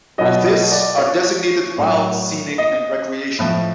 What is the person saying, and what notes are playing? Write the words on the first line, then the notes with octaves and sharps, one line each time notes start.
Of this, are designated "wild", "scenic", and "recreational".
B2 F#3 D#5
D#5
D5
C#5
A2 F#3
D#5
A2 F3